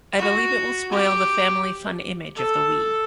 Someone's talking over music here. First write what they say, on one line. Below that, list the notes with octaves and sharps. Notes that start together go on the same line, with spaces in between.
I believe it will spoil the family fun image of the Wii.
F#4
G4
A4